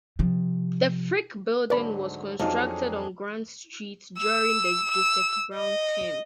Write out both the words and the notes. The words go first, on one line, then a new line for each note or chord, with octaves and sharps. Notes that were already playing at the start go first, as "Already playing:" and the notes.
The Frick Building was constructed on Grant Street during the Joseph Brown term.
C3 F3
D2 G#2 D3 F#3 B4 D5 B5
F2 F#3 D4 D#4 F4 G#4
E6
E6
D#5